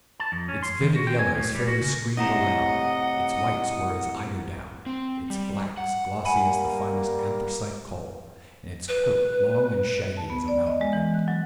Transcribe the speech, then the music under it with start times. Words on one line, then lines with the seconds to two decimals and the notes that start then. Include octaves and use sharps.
Its vivid yellows fairly screamed aloud; its whites were as eider down; its blacks glossy as the finest anthracite coal, and its coat long and shaggy as a mountain goat.
0.20 A5
0.32 F2
0.48 C#4
0.63 C6
0.81 D#3
0.96 F#4
1.07 G5
1.19 G#5
1.35 A2
1.55 G3
1.67 F#4
1.81 C#3
2.17 A2 C3 D#5 F#5 A#5 A#6
4.86 C4
5.30 G3
5.77 F#5
6.25 G3 A#3 F#5 G#5 B5
8.88 B4
10.17 A5
10.30 B3
10.48 D5
10.67 D#5
10.81 G#3
10.93 E3
11.14 F#6
11.28 F#3